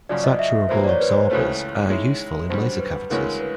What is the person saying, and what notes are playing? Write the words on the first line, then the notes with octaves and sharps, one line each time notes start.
Saturable absorbers are useful in laser cavities.
F#2 C#3 F3 D5
D#5
E5
A1 A2 F#3 A#3 C5
D5
C#5
B4
C5
C#2 C#3 E3 A3 C#4
D#3 G#3 C#4 E4
F#2 D3 G3 C5
B4
D2 C#3 E3 G#3 C#4 A#4
B4